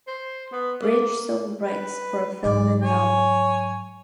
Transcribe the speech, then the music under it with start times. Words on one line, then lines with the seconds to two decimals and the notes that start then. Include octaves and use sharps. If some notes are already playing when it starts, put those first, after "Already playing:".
Bridge sold rights for a film and novel.
0.07 C5
0.52 B3
0.82 A#3
1.62 B4
2.44 G#2 F#3 D5
2.82 C#5 G#5